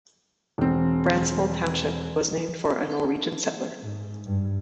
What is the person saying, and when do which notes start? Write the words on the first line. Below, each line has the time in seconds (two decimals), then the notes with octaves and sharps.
Brandsvold Township was named for a Norwegian settler.
0.58 E1 C4
3.81 G#2
4.26 G2